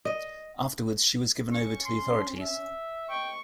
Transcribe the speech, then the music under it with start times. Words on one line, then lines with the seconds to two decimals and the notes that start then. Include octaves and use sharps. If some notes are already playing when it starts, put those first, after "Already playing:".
Afterwards she was given over to the authorities.
0.05 D#5
1.52 C#4 C#6
1.85 C6
2.40 E5
3.10 D#5 G5 C#6